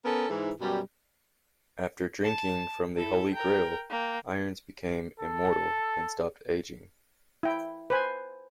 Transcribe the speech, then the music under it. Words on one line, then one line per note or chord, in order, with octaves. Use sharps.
After drinking from the Holy Grail, Irons became immortal and stopped aging.
B3 C#4 A4 A#4
G#2 E3
F#2 B2 G3
A5
E4 A4
A#4 G5
A#3 G5
A4
E4 G5
B4 C5 G#5